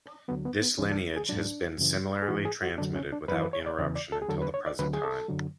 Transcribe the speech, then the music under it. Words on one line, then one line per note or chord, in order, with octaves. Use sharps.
This lineage has been similarly transmitted without interruption until the present time.
D2 D3 F#3 B3
B3
B3
C#2 C#3 E3 C#4
D4
G#4
G#2 F#3 D4
F#2 C#3 E3
G#4
G#2 E3 F#4
G#4
F#4
F#2 D3 F#3 D4
C#4
D4
F#2 E3 B4
B4
C#5
D5
E2 C#3 E3 D5
D5
A4
G#4
E2 D3 F#3 A4
B4
C#5
D5
D2 D3 F#3 B4
G#4
A4
F#2 D3 F#3